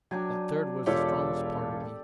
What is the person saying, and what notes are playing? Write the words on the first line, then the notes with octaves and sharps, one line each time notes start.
That third was the strongest part of me.
F#3 D4 G5 G#5
E1 F4 G4 A4 C#5 D5